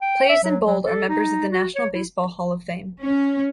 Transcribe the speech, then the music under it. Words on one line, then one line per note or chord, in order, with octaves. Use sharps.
Players in Bold are members of the National Baseball Hall of Fame.
G5
E5
F#3
F#3
A4
D#4
F#4
C#5
E4
C#4